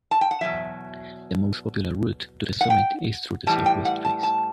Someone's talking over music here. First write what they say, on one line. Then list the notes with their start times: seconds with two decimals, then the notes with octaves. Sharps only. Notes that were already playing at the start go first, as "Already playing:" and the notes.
The most popular route to the summit is through the south west face.
0.11 A5
0.21 G5
0.31 F#5
0.41 E2 B2 F#3 E5
2.61 F#5
2.70 G5
3.47 A2 E3 G3 A5
3.66 G5
3.85 F#5
4.05 A5
4.23 A5